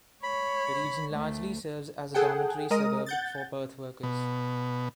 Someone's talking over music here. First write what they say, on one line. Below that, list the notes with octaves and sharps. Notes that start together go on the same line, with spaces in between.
The region largely serves as a dormitory suburb for Perth workers.
C#5 B5
D2 A3
G#4 A4 F#5 G5
G#3 A#4 D#5 D#6
F#5 G6 A6
B2